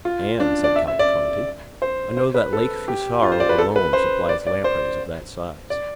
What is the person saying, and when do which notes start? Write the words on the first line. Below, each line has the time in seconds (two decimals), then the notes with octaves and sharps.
"And," said Cavalcanti, "I know that Lake Fusaro alone supplies lampreys of that size."
0.05 F4
0.40 D4
0.64 D5
0.76 E5
0.88 E5
0.99 D5
1.82 C5
2.17 C5
2.34 B4
2.53 A4
2.88 G4
3.23 F4
3.32 C5
3.40 D5
3.49 B4
3.58 A4
3.76 B4
3.93 C5
4.29 D5
4.47 D5
4.64 C5
5.70 D5